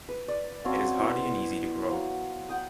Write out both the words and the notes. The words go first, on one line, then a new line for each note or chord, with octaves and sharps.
It is hardy and easy to grow.
B4
D5
F#3 C4 C#4 F5
B3 E4 C5
F#3 F5
F#5 G5 D#6